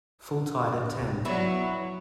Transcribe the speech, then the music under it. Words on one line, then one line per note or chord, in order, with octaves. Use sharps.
Full tide at ten.
F#3 B3 E4 F#4